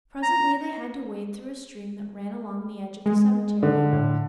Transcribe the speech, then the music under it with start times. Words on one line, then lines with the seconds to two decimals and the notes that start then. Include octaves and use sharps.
Presently they had to wade through a stream that ran along the edge of the cemetery.
0.23 A#5
3.06 G#3
3.63 D3
3.93 A2